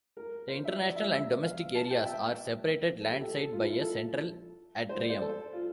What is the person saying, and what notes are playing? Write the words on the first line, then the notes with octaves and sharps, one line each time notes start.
The international and domestic areas are separated landside by a central atrium.
A#4
C5
E5
D5
E5
E5
F5
A5
G5
E5
A4
G4
A4
A4
A4
F4
E4
A4
C5
D5
C5
A4
F4